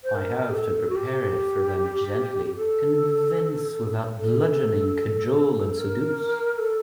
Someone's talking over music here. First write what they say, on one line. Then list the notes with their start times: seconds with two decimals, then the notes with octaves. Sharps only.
I have to prepare it for them gently, convince without bludgeoning, cajole and seduce.
0.04 C5
0.15 A#4
0.50 G4
0.54 A4
0.90 F#4
0.95 G4
2.46 G4
2.56 A4
4.17 A4
5.78 A#4
6.59 A4